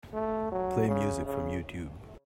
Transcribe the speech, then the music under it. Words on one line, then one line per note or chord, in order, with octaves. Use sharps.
Play music from Youtube.
A3
F#3
C#3
C#3